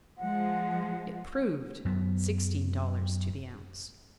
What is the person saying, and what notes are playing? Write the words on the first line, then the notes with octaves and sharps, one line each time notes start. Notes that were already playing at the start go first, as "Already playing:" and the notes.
It proved sixteen dollars to the ounce.
F3 G#3 F#5
F#2 F#3 B3